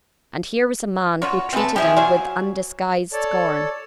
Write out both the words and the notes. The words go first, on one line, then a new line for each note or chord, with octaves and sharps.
And here was a man who treated him with undisguised scorn.
F#3 F4 F#4 C#5
A3 C4 G#4 B4 A5
F3 E4 G4 G#4
F#3 C5 F5 G#5
A4 C#5 D5 A5